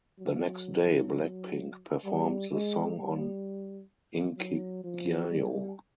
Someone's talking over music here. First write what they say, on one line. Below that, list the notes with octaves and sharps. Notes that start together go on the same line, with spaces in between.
The next day Blackpink performed the song on "Inkigayo".
F#3
G3
G#3
G3
F#3
F3
G3